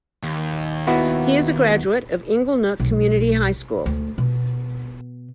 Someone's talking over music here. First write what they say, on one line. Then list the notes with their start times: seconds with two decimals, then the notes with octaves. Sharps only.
He is a graduate of Inglenook Community High School.
0.23 D#2
0.87 B3 E4 F#4
2.80 B1
3.86 D2
4.18 B2